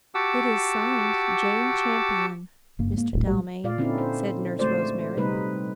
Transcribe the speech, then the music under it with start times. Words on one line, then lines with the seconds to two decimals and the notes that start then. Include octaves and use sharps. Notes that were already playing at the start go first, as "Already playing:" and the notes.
"It is signed 'Jane Champion,' Mr. Dalmain," said Nurse Rosemary.
0.15 F#4 G4 F#5 A5 D6 E6
2.79 F#1 G2 A#3
2.94 G#2 A#3
3.13 D#1 A#1 A2
3.27 G3
3.64 A#2 F4 D5 F5
3.78 D3 C4 C#4 D#4 E4
3.98 C5
4.59 D3 G#3 A3 F#4 C5 D5
5.17 C3 G3 A3 D#4 B4